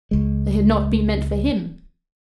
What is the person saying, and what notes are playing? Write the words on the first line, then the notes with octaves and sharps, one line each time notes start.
They had not been meant for him.
C#2 G#3